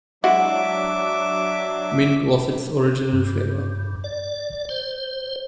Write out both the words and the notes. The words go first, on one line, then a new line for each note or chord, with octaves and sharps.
Mint was its original flavor.
F#3 G#3 D4 E4 F#4 E5 D6
G2
D5
C5